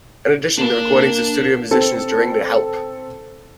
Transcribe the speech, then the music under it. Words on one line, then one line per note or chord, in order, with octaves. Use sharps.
In addition, the recordings of studio musicians during the Help!
A#3 D4 A5
C4 A4